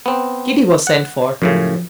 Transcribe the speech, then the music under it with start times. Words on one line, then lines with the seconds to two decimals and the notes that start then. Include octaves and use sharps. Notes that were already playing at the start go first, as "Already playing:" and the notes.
Kitty was sent for.
0.06 B3 C4
0.87 F#5
1.42 F#2 A2 C#3 F3